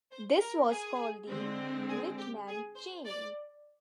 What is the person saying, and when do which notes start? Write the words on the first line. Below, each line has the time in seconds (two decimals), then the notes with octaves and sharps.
This was called the "litchman chain".
0.11 C5
0.40 A#4
0.70 G#4
1.28 D3 G#3 C4
1.88 G#4
2.18 G4
2.47 G#4
2.76 C5
3.06 D5